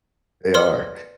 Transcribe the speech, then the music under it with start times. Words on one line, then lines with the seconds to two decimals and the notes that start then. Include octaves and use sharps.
They are,
0.54 B4 D5 C6 F6